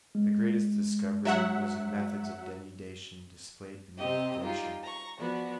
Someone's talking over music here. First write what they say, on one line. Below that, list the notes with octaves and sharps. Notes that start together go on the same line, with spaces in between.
The greatest discovery was in methods of denudation displayed beneath the glacier.
G#3
F#3 E5 F#5
C3 C4 G4 D#5
G3 D#4 F4 G4
A#5 C#6
F3 B3 F#4 D5